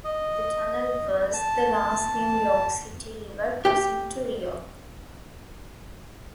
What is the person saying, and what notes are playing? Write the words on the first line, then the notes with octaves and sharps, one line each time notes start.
The tunnel was the last New York City river crossing to reopen.
D#5
A5
G4 G5